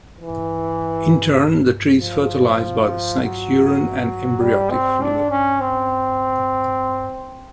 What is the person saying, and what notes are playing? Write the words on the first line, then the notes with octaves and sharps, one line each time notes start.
In turn the tree is fertilized by the snake's urine and embryotic fluid.
E3
F3
F#3
G3
C4
D4
C#4
C4